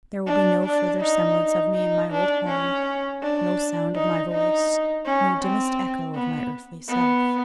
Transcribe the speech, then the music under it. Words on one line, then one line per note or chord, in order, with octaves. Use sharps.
There will be no further semblance of me in my old home, no sound of my voice, no dimmest echo of my earthly self.
D4
D4
D#4
D#4
D4
C#4
D4
D#4
D#4
C#4
C4
B3
B3